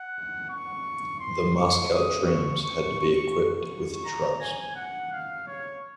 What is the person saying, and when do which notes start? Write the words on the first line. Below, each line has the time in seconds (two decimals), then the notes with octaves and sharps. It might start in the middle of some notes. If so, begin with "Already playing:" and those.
The Moscow trams had to be equipped with trucks.
Already playing: F#5
0.50 C#6
1.20 C6
1.56 C#6
1.91 D#6
2.27 C#6
2.62 C#6
2.99 C#6
3.34 C#6
4.05 A#5
4.41 G#5
4.76 F#5
5.12 F5
5.47 C#5